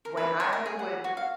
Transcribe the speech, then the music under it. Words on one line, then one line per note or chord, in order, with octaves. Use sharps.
when I would
A#4
B4
C#5
A#4
G#4
F#5
F#4
F5